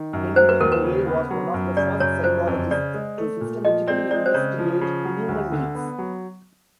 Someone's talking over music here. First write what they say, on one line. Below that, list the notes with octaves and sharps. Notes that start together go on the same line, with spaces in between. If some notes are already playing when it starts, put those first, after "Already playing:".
Henry Murray was one of the first psychologists to systematically investigate human needs.
Already playing: D#3
F#2
F#3 C5
B4
D#2 A#4
B4
C#3
B3
F#3
F#2
C#3 D5
F#2 C#5
F3 C5
F2
C#3 D5
G#3
A3
A#2
F3 D#5
C4 D5
G#3 D5
C5
C#3 C#5
F3
C#3
F#3
D2
D3
B3
F#3